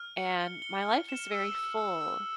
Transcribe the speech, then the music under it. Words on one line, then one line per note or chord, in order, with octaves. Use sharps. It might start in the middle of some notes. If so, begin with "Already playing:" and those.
and my life is very full
Already playing: F6
C#7
G7
G7
F6
E7
E6
E6
E6
E6